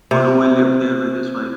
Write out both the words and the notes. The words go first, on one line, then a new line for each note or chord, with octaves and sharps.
Holloway lived there with his wife.
C3